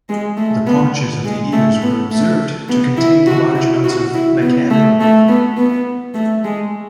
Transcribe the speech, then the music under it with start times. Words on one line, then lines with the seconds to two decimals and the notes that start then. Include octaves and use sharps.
The paunches of the ewes were observed to contain large amounts of "Nicandra".
0.09 G#3
0.37 A3
0.67 B3
1.25 G#3
1.53 A3
1.82 B3
2.11 A3
2.69 B3
2.97 E4
3.27 F#4
3.56 E4
3.84 F#4
4.14 E4
4.42 B3
4.71 A3
5.00 A3
5.28 B3
5.57 B3
6.15 A3
6.44 G#3